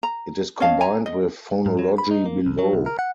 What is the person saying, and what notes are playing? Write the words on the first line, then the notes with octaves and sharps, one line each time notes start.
It is combined with phonology below.
A#5
C#4 D#5 F5 A5
G#5 A#5
D#5
G#2
F#3
B5
D#4
A#3
C2
F#3
B1
A#4
F#5